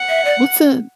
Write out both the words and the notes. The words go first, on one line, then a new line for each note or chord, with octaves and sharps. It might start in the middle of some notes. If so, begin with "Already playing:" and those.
what's a
Already playing: F#5
E5
D5